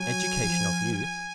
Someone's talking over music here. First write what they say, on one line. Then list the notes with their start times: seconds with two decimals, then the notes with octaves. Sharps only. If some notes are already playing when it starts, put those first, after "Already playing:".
Education of Youth.
Already playing: F#3 G#5
0.41 F3
0.93 G#5